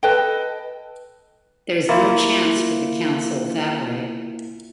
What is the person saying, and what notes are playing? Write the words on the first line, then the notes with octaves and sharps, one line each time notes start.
There’s no chance for the Council that way.
A4 B4 D#5 G5
A#3 E4 F4